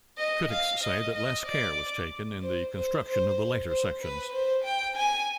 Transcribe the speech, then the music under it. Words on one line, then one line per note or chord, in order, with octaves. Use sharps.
Critics say that less care was taken in the construction of the later sections.
D#5
F5
D#5
D#5
D5
C5
C5
C5
C5
B4
C5
G5
G#5